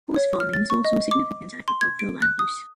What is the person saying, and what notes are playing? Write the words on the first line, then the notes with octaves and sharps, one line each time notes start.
Horse farming is also a significant agricultural land use.
C#5
F6
A6
C#6
D#5
D6
C6
G#6
D7
F#6
D#6